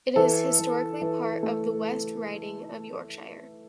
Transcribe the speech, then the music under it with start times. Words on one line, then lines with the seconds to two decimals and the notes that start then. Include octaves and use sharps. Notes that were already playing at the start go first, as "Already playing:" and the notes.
It is historically part of the West Riding of Yorkshire.
0.16 E3 A4
0.59 E3
1.02 E3
1.43 A3